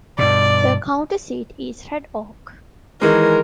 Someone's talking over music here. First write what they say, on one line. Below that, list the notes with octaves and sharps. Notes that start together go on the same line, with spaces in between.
The county seat is Red Oak.
G2 B2 D5
D#3 E3 G#3 A#4